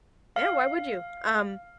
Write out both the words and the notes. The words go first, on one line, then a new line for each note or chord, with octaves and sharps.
yeah, why would you? Um,
F5